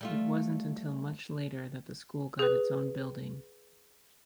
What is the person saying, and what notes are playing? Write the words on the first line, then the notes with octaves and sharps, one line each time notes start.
It wasn't until much later that the school got its own building.
G3 A3 F4
G#4 B4